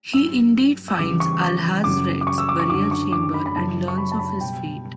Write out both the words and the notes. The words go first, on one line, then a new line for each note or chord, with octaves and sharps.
He indeed finds Alhazred's burial chamber and learns of his fate.
G2 F#3 E6
E6
E2 C#3 E3 G3 D6
C#6
D6
F#2 C#3 F#3 D6
D6
C#6
E6
D6
C#6
F#2 D3 F#3 D6
C#6
D6
B5
B5
F#2 C#3 F#3 A5
C#6
B5
A5
B5
B2 G3 G5